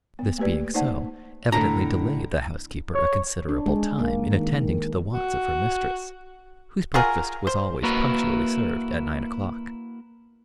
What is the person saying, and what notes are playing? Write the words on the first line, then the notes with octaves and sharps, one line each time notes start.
This being so, evidently delayed the housekeeper a considerable time in attending to the wants of her mistress, whose breakfast was always punctually served at nine o'clock.
B3
A3 A#3 G4 B4 D5
A#3 D#4 C5 D5 F#5 A5
A2 D3 A#5
C#5
D4
G#3
A#3
D#3
D#3
F#4
F4 F#4 G#4 A#4
C5
A#3 E4 F#4 A#4 B4